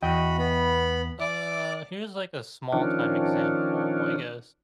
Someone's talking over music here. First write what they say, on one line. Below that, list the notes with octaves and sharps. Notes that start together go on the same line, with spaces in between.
uh, here's like a small time example, I guess.
E2 F#4 D#5 G5 B5
B3 B5
D5 D6
D#3 F3 C#4 D4